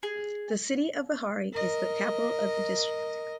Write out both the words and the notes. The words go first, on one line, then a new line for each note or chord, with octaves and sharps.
The city of Vehari is the capital of the district.
G#4
A#4 D#5